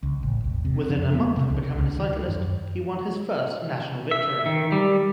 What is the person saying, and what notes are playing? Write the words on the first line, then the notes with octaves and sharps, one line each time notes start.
Within a month of becoming a cyclist, he won his first national victory.
C#2
A1
E1
C3
F2
B3
C3
C#2
C#2
D#3
F#2
E5
D#3
G3